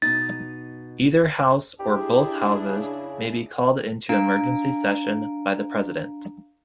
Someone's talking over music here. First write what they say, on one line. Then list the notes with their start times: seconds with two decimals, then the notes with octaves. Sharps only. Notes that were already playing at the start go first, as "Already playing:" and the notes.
Either house or both houses may be called into emergency session by the president.
0.02 B2 D#4 A6
1.79 D4 E4 G4 G#4
2.65 C#3
4.09 D4 F5 A#5 D7